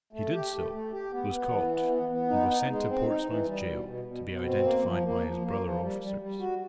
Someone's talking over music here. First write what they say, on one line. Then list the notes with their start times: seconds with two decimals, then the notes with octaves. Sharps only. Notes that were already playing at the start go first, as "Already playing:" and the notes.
He did so, was caught, and was sent to Portsmouth gaol to be identified by his brother officers.
0.13 A3
0.33 G4
0.53 A3
0.72 A3
0.92 G4
1.11 B3
1.30 B3
1.50 E3
1.70 B3
1.89 B3
2.09 B3
2.29 D#4
2.48 D#4
2.68 G#3
2.88 C4
3.07 D#4
3.27 E3
3.45 G3
3.66 B2
3.85 B2
4.04 B2
4.24 B2
4.44 C4
4.63 A#3
4.83 F3
5.03 A#3
5.22 F3
5.41 A#3
5.61 F3
5.81 G3
6.01 G3
6.20 G3
6.40 F#4